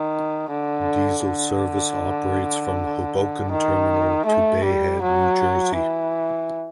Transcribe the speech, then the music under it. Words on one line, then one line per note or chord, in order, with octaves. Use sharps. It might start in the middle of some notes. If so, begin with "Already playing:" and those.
Diesel service operates from Hoboken Terminal to Bay Head, New Jersey.
Already playing: D#3
D3
D3
D#3
A3
G3
F#3
E3